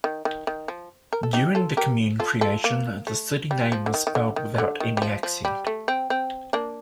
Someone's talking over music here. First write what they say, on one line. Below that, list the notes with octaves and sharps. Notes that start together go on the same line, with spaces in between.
During the commune creation, the city name was spelled without any accent.
D#3
D#3
D#3
F3
A#4
A4
D#4 G4
F4 A4
G4 A#4
F4 A4
F4 A4
A#3
A3
G3
F3
D3
D#3
D#3
D3
D#3
D3
D#3
G3
F3
F3
G3
A3
C4
C4
A#3 D4